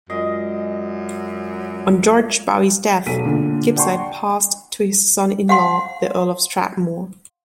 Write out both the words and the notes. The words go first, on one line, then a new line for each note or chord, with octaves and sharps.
On George Bowes' death, Gibside passed to his son-in-law, the Earl of Strathmore.
F#2 G#3 F4 D5 D#5
E1 B1 A4 B6 D#7
A#2 D3
D5 F#5 G5 A5 C6 C#6
F5 F#5 C6